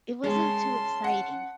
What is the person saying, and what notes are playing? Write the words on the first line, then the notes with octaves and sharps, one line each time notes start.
it wasn't too exciting.
G#3 C#4 G#4 A5 C6
F#5